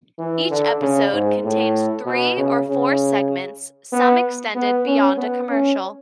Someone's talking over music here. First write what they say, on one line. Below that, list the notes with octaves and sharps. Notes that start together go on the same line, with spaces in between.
Each episode contains three or four segments, some extended beyond a commercial.
E3
D3
C#3
G#2
A2
B2
C#3
C#3
B3
B3
C#4
B3
C#4